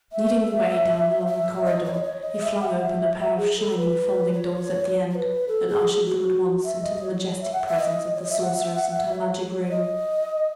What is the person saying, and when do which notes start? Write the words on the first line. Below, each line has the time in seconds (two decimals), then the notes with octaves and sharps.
Leading the way down along a corridor, he flung open a pair of shining folding-doors at the end, and ushered them at once into the majestic presence of the sorceress and her magic room.
0.12 E5
1.27 E5
1.65 D#5
1.84 C#5
1.93 D#5
2.03 C#5
2.22 D#5
2.41 E5
2.60 F#5
2.80 E5
3.18 E5
3.37 G#4
3.57 A4
3.76 B4
4.34 C#5
5.11 C#5
5.15 B4
5.48 A4
5.68 G#4
5.86 G#4
6.06 F#4
6.64 E5
6.82 D#5
7.02 C#5
7.41 E5
7.53 F#5
7.67 E5
7.79 D#5
8.15 C#5
8.23 D#5
8.30 E5
8.42 F#5
8.56 E5
8.74 F#5
8.94 E5
9.13 C#5
9.33 C#5
9.65 C#5
9.71 D#5